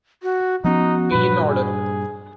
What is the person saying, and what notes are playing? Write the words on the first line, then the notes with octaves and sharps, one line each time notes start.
Be in order.
F#4
F3 B3 C#4 D#4 F#4
G2 A#2 B4
G#4